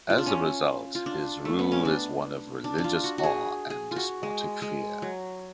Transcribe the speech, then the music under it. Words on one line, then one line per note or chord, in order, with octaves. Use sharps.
As a result, his rule is one of religious awe and despotic fear.
F4
D4
C#4
F4
D4
A3
B3
C#4
D4
D4
D4
F4
F#4
F#4
G#4
G#4
F4
F#4
G#3
G#3
F#3